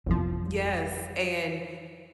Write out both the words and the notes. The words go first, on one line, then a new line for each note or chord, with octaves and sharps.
Yes, and
G1 C2 F2 F3